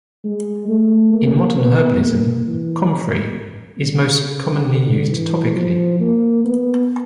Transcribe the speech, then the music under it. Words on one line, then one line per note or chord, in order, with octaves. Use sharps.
In modern herbalism, comfrey is most commonly used topically.
G#3
A3
A#3
B3
A#3
E3
D3
C#3
D3
E3
F3
A#3
B3